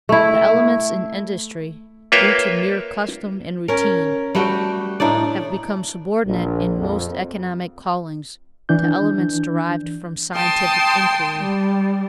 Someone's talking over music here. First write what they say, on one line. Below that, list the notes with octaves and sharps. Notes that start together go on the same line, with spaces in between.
The elements in industry due to mere custom and routine have become subordinate in most economic callings to elements derived from scientific inquiry.
A3 E4
A#3 F4 B4 C#5 E5 G5
C#4 A#4
G3 A3 F#4 G5
A2 D4 D#4 D5
A#1
F2
E3 D4 G6
G5 A5 C6 D#6
G3